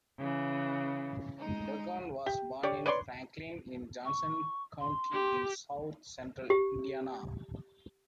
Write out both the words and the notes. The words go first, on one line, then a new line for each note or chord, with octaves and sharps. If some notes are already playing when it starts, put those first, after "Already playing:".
Duggan was born in Franklin in Johnson County in south central Indiana.
C#3 E3
G#3 D#4
G4
G4 C#5 D5
B4 C#5 D5 C6
C#6
C6
G4
G4